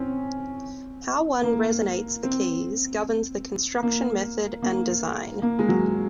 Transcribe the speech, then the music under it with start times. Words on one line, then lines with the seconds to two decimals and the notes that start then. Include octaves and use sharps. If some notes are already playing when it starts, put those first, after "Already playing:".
How one resonates the keys governs the construction method and design.
Already playing: C4 C#4
1.43 A#3
2.23 C4
3.83 A#3
4.62 A#3
5.42 A#3
5.59 G#3
5.69 F#3